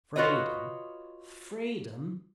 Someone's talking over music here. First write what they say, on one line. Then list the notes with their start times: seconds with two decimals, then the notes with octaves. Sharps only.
Freedom, freedom!
0.16 F4 F#4 B4 C#5 D#5